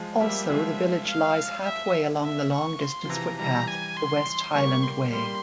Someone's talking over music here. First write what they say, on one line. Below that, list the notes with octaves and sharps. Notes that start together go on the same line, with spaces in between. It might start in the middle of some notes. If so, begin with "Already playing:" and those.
Also the village lies halfway along the long distance footpath, the West Highland Way.
Already playing: F3 G#3
G3 A#3 E5
F3 G#3 E5
F5
E5
E5
C#6
C6
F3
C3 E3 A#5
E3 G3 A#5
G#5
C6
G3 A#3 C#6
C6
G3 A#3 C6